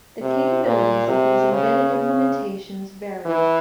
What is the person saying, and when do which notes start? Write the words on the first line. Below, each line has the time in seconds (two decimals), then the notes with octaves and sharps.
The capabilities of these embedded implementations varied.
0.22 C3
0.65 A#2
1.08 C3
1.52 C#3
1.95 C#3
3.25 E3